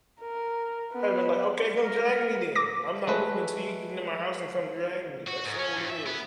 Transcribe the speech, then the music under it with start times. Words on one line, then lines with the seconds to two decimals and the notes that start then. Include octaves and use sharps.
I'd been like, "Okay, come drag me then, I'm not moving 'til you get into my house and come dragging me, that's all it is."
0.21 A#4
0.93 B3
1.81 A#4
2.55 D6 A#6
3.07 G#3 A3 B4
5.28 F#4
5.46 G#2
5.59 C#4
5.76 G2
5.90 E5
6.07 B3